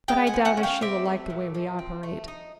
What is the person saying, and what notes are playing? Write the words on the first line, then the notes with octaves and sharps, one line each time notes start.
But I doubt if she will like the way we operate.
G#3 F5 G5
F#5 G#5
F3
F#5 G#5
C#4
F5 G5
C4 D5 E5
A3
A#2
F3
C4
A3
D#4